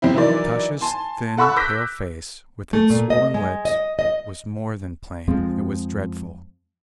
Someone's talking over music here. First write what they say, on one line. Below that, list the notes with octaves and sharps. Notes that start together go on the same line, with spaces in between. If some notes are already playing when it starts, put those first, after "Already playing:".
Natasha's thin pale face, with its swollen lips, was more than plain--it was dreadful.
F2 C3 C4 E4
E3 F#3 D#4 E4 A#4 D5
G#5 A5 C6
A4 F#5 B5 C#6 E6 F#6
D6 E6 F#6 G6 A#6 B6
A3
A#2
D#5
G#3
D#5
D#5
F2 F3 G#3 C4